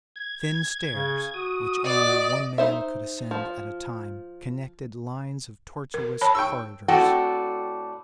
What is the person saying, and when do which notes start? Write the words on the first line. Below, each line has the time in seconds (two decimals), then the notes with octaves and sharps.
Thin stairs, which only one man could ascend at a time, connected lines of tortuous corridors.
0.16 G#6
0.94 C#3
1.34 F#4 D#6
1.84 D5 D#5 D6
2.58 D#4 C5 E5
3.31 F3
5.94 A#4
6.21 C#5 A5 B5
6.35 G5 C#6 E6
6.88 A2 C4 D4 F#4 A4 G5